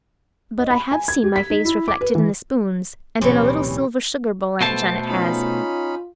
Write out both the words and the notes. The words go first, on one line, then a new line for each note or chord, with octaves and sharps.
But I have seen my face reflected in the spoons, and in a little silver sugar bowl Aunt Janet has.
D#5
B5
G#5
G#6
G4
B6
D#4
E4
D6
B4
E3
D1 B2 E3 F#3 G3 A#3 C4 C#4
B2 A3 B3 A4 C5 A5
C#4 D#4 F4 B5